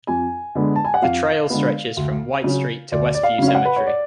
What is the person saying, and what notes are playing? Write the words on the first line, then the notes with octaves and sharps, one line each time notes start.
The trail stretches from from White Street to Westview Cemetery.
F2 G#5
D3 G#3 B3
A5
G#5
F#5
F2 F5
D3 G#3 B3
D2
C#3 F#3 C#4
D2 D5
D5
F5
C#3 F#3 C#4
F5
F#5
B4
C#5
D5